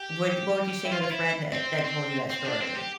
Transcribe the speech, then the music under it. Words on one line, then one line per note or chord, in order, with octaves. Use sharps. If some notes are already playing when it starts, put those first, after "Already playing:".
Would what would you say to the friend that that told you that story?
Already playing: G4
E4
F4
F4
E4
C4
C4
C4
D4
C4
G4